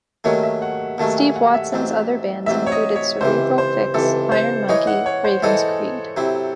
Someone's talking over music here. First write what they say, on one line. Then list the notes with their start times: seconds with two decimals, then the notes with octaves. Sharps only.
Steve Watson's other bands included Cerebral Fix, Iron Monkey, Ravens Creed.
0.24 D#2 D#3 F#3 A3 C#4 C#5
0.43 E5
0.62 F#5
0.98 D#2 D#3 F#3 A3 C#4 A5
1.18 G#5
1.36 F#5
1.54 E5
1.72 A1 G#2 F#3 C4
2.46 A1 G#2 F#3 C4 E5
2.66 C#5
2.72 D#5
2.95 C#5
3.21 C#2 C3 E3 C5
3.58 C5
3.94 C#2 C3 E3 A4
4.32 C5
4.69 E3 G#3 D#4 G#4 C#5 D#5
4.87 F#5
5.06 C#5
5.24 C5
5.42 E3 G#3 D#4 G#4 A4 D#5
6.17 C3 F#3 C4 E4